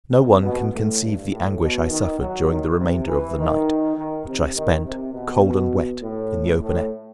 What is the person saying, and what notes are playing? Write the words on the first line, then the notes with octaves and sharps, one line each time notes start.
No one can conceive the anguish I suffered during the remainder of the night, which I spent, cold and wet, in the open air.
C3
B2
A2
G2
A2
B2
D#3
F#3
D#3
C3
E3
D#3
D#3
C3
D#3
C3
B2
A2
A2